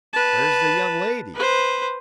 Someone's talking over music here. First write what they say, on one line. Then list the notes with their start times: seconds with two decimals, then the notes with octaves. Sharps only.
"Where's the young lady?"
0.13 B4 A5
1.35 B4 C5